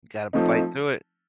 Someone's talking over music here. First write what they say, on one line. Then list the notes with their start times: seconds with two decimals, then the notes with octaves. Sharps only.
you gotta fight through it.
0.33 F3 A3 C4 D#4